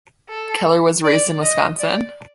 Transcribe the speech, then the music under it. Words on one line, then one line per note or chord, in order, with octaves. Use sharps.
Keller was raised in Wisconsin.
A4
D5
D#5
D5